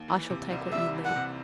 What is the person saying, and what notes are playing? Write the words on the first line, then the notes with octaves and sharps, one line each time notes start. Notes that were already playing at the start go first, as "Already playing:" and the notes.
I shall take what you leave.
Already playing: D#2
E3
C3
C2
G3 E5
E3
F#5
C3